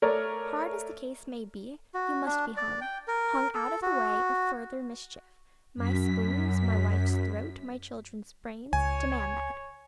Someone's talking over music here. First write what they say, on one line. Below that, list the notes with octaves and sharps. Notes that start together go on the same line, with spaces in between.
Hard as the case may be, you must be hung; hung out of the way of further mischief; my spoons, my wife's throat, my children's brains, demand that.
A3 A#4 C#5 D5
F#4
D4
D5
G5
A#4
A4
F#4
F#2 B6
C#2 C#5 G#5